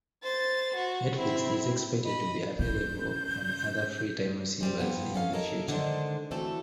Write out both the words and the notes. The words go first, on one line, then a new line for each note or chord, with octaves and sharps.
Netflix is expected to be available on other Freetime receivers in the future.
C5 A6
F#4 C5
C4 E4
D#5 B5
C#4 G6
C3 G3 C4
G2 B3 E4 F4
C#4 A4 F5
E4 A4 A#4 D#5
D3 D#3 G#3 D4 C5
E3 F#3 A3 C4 A4